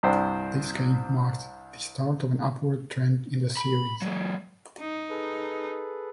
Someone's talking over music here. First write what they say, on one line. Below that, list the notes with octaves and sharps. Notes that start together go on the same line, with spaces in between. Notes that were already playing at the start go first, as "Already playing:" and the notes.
This game marks the start of an upward trend in the series.
C2 G2 D4 C5 G5
B5
F#3 G#3
D#4
G#4 A4 B4